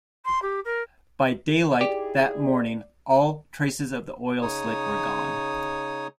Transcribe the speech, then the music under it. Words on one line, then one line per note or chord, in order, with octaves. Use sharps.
By daylight that morning, all traces of the oil slick were gone.
C6
G4
A#4
D#4 E4 G4 G#4 D5
C#3 D#4 C#5 D#6